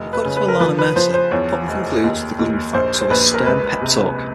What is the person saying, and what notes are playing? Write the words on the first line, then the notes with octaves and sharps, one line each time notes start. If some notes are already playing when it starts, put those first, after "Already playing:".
According to Ilana Mercer "Putnam concludes the gloomy facts with a stern pep talk".
Already playing: F1 F3
B4
C#3
B4
A#4
F3 B4
B4
F3 C5
C5
E2 C#5
F1
D#2
D#2
A#1 C5
C5
A#1 B4
A#4
C#2 B4
C3